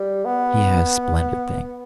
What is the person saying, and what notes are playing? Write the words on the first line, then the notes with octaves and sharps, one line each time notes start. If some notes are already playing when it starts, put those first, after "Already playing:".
He has splendid things.
Already playing: G3
B3